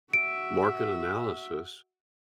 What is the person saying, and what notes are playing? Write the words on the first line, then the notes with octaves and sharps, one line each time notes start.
market analysis
F#4 E5 D7